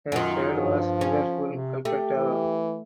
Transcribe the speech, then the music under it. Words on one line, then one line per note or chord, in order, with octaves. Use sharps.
Her trade was Liverpool–Calcutta.
F#2 D#3 F4
G2 F3
C#4
C3
A3 G4
E3